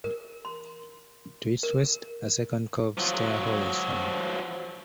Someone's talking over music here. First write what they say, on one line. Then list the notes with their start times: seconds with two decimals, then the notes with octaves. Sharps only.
To its west, a second cove, Stair Hole, is forming.
0.04 A#4
0.45 C6
1.63 A#4
2.98 F3 F#3